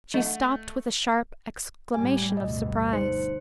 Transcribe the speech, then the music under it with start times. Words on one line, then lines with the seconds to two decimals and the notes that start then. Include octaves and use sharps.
She stopped with a sharp exclamation of surprise.
0.14 A3 D#5 F#5
1.94 A2 G3 G#5
2.37 D2 G2 B2 D#5
2.93 D#4 C5 C#7